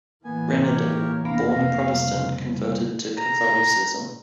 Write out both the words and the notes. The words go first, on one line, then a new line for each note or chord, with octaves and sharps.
Renaudot, born a Protestant, converted to Catholicism.
A2 E3 A#3 B3 G#5
G4 A#4 C#5
F1 A#3 B3 D4 F5 A#6
C#3 G3
A#5